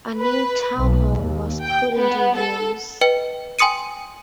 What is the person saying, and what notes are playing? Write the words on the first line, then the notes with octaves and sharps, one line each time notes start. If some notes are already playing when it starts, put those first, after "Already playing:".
A new town hall was put into use.
B4
B1
D#2
G5
B3
A4
B4 D#5 G5 C#7
G5 G#5 C6 D#6 C#7 D#7